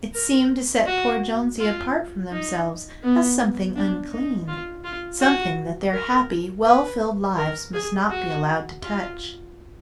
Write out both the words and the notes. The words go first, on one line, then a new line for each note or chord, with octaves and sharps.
It seemed to set poor Jonesy apart from themselves as something unclean,--something that their happy, well-filled lives must not be allowed to touch.
A#4
F#4
F4
D#4
B3
D4
D#4
F4
F4
F#4
A#4
B4
A#4
G#4
F#4
F4